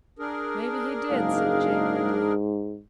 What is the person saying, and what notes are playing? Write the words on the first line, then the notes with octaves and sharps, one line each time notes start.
"Maybe he did," said Jake grimly.
D4 G#4 A#4
F#1 G#2 G#3 F5